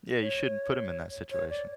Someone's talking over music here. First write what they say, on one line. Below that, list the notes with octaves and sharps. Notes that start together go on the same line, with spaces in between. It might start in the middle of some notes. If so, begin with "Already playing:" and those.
Yeah. You shouldn't put 'em in that situation.
C#5
C#5
D5